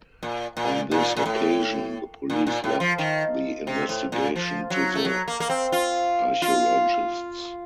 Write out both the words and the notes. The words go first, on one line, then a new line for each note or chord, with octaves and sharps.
On this occasion, the police left the investigation to the archaeologists.
A#2
A#2
A#2
A#2
A2
A#2
A#2
A2
F3
D#3
C3
A2
A#2
F3
F#3
A3
F#3
A#3
A#3
C4
F4
F4